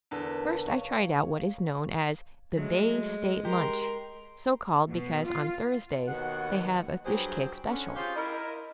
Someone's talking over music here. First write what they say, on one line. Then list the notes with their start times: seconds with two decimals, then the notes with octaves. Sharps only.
First, I tried out what is known as the Bay State Lunch, so called because on Thursdays they have a fishcake special.
0.11 E2 D3 A#4 B4 A5
0.67 C#5 F5
2.58 F#3 G#3 A3
3.45 G4 A#4 C6
4.89 B2
5.27 F4
6.08 D#2 B2 F#5
7.05 G2 F#3 G4 G#4 B4 C5
7.65 D3 C#4
7.95 F4 G4 G#4 C5 C#5 F5
8.15 E4 A#4 D#5